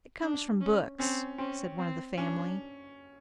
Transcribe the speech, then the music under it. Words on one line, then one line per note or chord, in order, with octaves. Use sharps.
"It comes from books," said one of the family.
D4
C#4
C4 C#4
C4 C#4
C4
C#4 D4